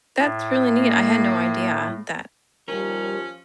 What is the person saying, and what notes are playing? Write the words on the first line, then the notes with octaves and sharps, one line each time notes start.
That's really neat, I had no idea that
A2
A#3
D#2 F3 G3 C#4 A#4